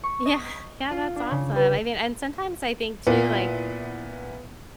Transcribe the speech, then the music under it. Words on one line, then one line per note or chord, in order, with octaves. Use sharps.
Yeah. Yeah. That's awesome, I mean, and sometimes I think too, like,
C#6
D#5
F4
D4
C#3
B4
A#2 B3 E4